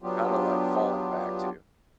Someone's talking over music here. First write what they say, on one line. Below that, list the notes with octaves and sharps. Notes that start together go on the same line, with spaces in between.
kind of like falling back to
F#3 B3 D4 F4 G4